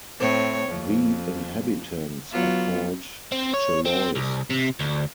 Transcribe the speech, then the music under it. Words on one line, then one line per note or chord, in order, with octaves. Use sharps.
The inhabitants are called "Chellois".
A2 C4 C#5
F2
F#3 B3 F4
C4
C#5
C4
C2
C3
D2